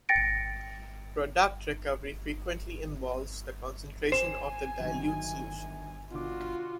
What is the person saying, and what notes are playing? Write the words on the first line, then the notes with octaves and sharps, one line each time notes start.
Product recovery frequently involves the concentration of the dilute solution.
G5 A6 A#6 C#7 D7
G4 C5 G#5 E7
G1 D#3 F#3
B2 D3 F4 F#4 D6